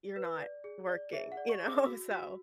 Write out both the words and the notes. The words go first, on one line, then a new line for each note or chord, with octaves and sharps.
you're not working. You know? So,
B4
D5
G#4
D5
G#4 E5
F#5
D5
C#6
G#4
D6
F#4 E6
F#4